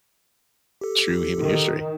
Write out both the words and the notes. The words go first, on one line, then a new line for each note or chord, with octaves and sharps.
true human history.
G4 A4
D#3